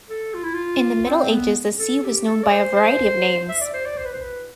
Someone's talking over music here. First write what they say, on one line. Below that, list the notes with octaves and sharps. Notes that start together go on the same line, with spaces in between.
In the Middle Ages the sea was known by variety of names.
A4
F4
E4
F4
C4
B3
A4
G4
A4
D5
C5
C5
E5
D5
C5
D5
C5
B4
C5
B4